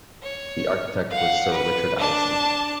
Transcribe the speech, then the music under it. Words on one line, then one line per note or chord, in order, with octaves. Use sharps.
The architect was Sir Richard Allison.
C#5
F5 F#5
B4
D4 A5